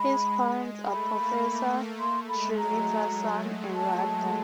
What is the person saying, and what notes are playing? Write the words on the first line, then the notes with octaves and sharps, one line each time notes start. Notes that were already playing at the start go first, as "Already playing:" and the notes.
His parents are professor Srinivasan and Radha.
Already playing: G#3 B5
A3 B5
A#3
A3 C6
G#3 B5
F#3 A#5
A5